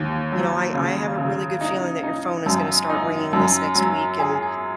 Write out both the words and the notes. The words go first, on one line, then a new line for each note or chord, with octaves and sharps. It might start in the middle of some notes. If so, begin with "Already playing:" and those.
you know, I I have a really good feeling that your phone is gonna start ringing this next week, and
Already playing: D#2
F#3
C#3
C#3
D#4
D#4
F#2
D#4
F#2
F#3
G#4